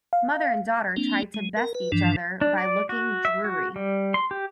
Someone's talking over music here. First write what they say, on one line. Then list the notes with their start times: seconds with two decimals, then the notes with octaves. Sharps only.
Mother and daughter try to best each other by looking dreary.
0.13 F5
0.96 A#3 C4 D4
1.34 G#3
1.57 A#4
1.75 B4
1.92 G2 E3 F3 D4
2.41 D4
2.58 D5
2.89 F#4
3.25 E5
3.44 F#4
3.76 G3
4.14 C6
4.31 G4